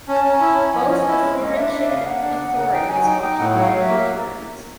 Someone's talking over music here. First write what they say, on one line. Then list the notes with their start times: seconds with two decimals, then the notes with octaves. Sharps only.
Both aforementioned authorities occupied in turns.
0.08 C#4 A5
0.24 C#4
0.30 A#5
0.41 E4
0.52 A5
0.58 C#4
0.74 F3 D#5
0.90 C#4
1.07 E4
1.24 G#3
1.41 A#3 D#5
1.57 D4 E5
1.73 D4 E5
1.89 C#3 F5
2.06 A#3 F#5
2.22 D4
2.40 C#3
2.55 C#3
2.72 D#4 G5
2.89 F#3 G#5
3.05 D#4 G5
3.22 D#4 G5
3.38 A2 F#5
3.55 F#3
3.60 F5
3.72 F#3
3.82 E5
3.88 A#3